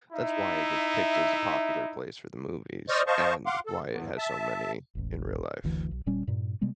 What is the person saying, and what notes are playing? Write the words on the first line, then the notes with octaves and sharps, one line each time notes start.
that's why it gets picked as a popular place for the movies and why it has so many in real life.
D#4 E4 E5
C5 D5 D#5 C#6 D#6 F6
C5 D#5 F5 A5 C#6
F5 F#5 C6 D6
A4
E2
E5 A5
E1 A1
F#1 D2 E3
B1
D#1 A#2 G3 C#4
G2 A#2
C3 G3 G#3 B3